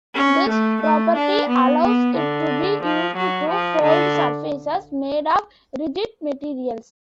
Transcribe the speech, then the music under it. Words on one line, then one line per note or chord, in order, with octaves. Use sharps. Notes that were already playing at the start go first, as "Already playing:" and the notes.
This property allows it to be used to fold surfaces made of rigid materials.
C#4
A3
A3
D4
B3
B3
D3
F3
F#3
F3
D3